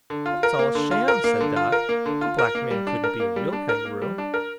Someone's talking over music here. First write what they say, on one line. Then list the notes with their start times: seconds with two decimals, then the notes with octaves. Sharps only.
"But it's all sham," said Dot; "the Black man couldn't be a real kangaroo."
0.10 D3
0.26 F4
0.43 A#4
0.59 A#3
0.75 D3
0.91 F4
1.08 A#4
1.24 A#3
1.40 D3
1.56 F4
1.72 A#4
1.89 A#3
2.06 D3
2.21 F4
2.39 A#4
2.55 A#3
2.71 G3
2.87 D4
3.04 A#4
3.20 A#3
3.36 G3
3.53 D4
3.69 A#4
3.85 A#3
4.02 G3
4.18 D4
4.34 A#4